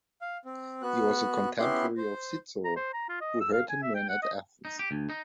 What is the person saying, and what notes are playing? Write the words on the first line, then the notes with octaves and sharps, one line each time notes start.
He was a contemporary of Cicero, who heard him when at Athens.
F5
C4
B3 F#4 F#6
B3 C#4 E4 G4 C6 F#6
C5
A#5
C5
A#5
F4
D#5
E6
F5
G#5
E5
G5
F#5
D#5
D#4
G4
D2
D#4